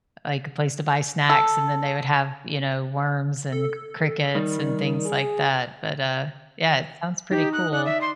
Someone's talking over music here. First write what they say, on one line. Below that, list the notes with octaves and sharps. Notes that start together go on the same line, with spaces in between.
like a place to buy snacks, and then they would have, you know, worms and c crickets, and things like that, but, uh, yeah, it sounds pretty cool.
A4
A4
D#3 G3
G#4
D#4 G4
F#6
D5 F#6
E5
C6